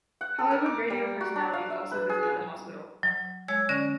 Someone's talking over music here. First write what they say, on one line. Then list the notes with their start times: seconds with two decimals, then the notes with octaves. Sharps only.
Hollywood Radio personalities also visited the hospital.
0.21 F#5
0.39 A4
0.51 A#4
0.66 D6
0.90 G3
1.21 F#4
1.36 D4
1.53 F5
1.70 E5
1.91 B4
2.09 G#4
3.03 F#3
3.48 G#3 C#5 E6 G#6
3.69 D3 C#4 D5 A#6